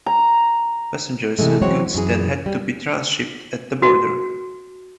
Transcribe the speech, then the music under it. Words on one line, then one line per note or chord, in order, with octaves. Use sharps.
Passengers and goods then had to be transhipped at the border.
A#5
C3 E3 G#3 A3
E3 F#3 G#3 C4 F#4 C#5
F#2 E3 G#4
G3
F#4